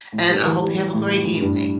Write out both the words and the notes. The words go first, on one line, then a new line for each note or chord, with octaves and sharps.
and I hope you have a great evening.
A2
G3
E3
G3
G3
A2
G3
A2
G2